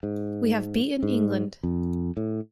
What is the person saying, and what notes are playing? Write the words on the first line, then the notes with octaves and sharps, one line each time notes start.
We have beaten England!
G#2
G#2
F2
A2